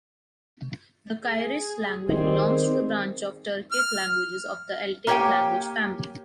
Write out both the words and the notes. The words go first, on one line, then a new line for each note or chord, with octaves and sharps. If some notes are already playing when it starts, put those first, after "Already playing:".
The Kyrgyz language belongs to the branch of Turkic languages of the Altaic language family.
G#4
D#3 G3 C4 G#4
F6
A#3 G4 C#5 D5 G5 G#5